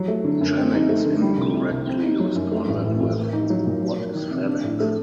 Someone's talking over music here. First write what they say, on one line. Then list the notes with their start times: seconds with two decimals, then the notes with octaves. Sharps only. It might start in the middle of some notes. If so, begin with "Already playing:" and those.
Jennings incorrectly responded with What is FedEx?
Already playing: F#3
0.08 A3
0.24 D3
0.41 F#2
0.57 C4
0.74 D#4
0.89 A3
1.06 D3
1.22 G3
1.38 C2
1.55 C3
1.71 C2
1.87 C4
2.03 D#4
2.20 F#3
2.36 F#2
2.52 A3
2.68 A1
2.85 A2
3.01 A1
3.18 A#3
3.33 D#4
3.50 F#3
3.66 A#2
3.82 F#3
3.99 A#3
4.15 D#3
4.31 C3
4.48 D4
4.64 A2
4.80 A3